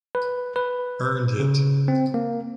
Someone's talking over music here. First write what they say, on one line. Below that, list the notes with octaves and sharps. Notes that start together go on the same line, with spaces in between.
Earned it!
B4
B4
C#3
C4
A#3